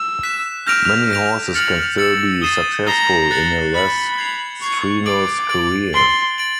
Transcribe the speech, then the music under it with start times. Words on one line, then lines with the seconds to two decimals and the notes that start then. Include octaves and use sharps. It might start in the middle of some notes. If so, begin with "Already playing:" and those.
Many horses can still be successful in a less-strenuous career.
Already playing: E6
0.23 F#6 B6 E7
0.67 F6 G6 A#6 D7 F7
1.10 G6 A#6 D7 F7
1.55 F6 A6 C#7 F#7
1.98 E6 A6 C#7 F#7
2.42 D#6 A6 C7 E7 G7
2.87 A#5 A6 C7 E7 G7
3.31 F#6 A6 C#7 F#7
3.74 B5 F#6 A6 C#7 F#7
4.18 G#6 C7 F7
4.62 C#6 G#6 C7 F7
5.06 D6 A6 D7 F#7
5.49 A6 D7 F#7
5.93 C6 A6 D7 F#7
6.38 A6 D7 F#7